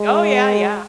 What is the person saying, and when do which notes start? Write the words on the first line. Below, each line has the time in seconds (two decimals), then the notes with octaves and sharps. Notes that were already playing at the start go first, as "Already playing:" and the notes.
Oh, yeah, yeah.
Already playing: G#3